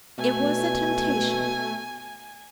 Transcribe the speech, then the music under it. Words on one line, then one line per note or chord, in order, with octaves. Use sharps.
It was a temptation.
B2 A3 G#5